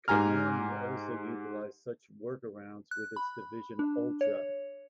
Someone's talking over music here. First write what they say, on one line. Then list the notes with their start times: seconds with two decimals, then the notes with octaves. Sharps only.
Konami also utilized such workarounds with its division Ultra.
0.08 G#2 G4 G#5 A#5 F6
2.91 F#6
3.16 B5
3.79 D4
4.21 C#5